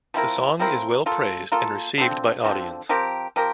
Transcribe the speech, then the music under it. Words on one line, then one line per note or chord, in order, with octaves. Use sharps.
The song is well praised and received by audience.
F3 C4 E4 A#4
F3 C4 E4 A#4
A#3 F4 A4
A#3 F4 A4
D3 F3 C4
D3 F3 C4
F3 C4 G4 A#4
F3 C4 G4 A#4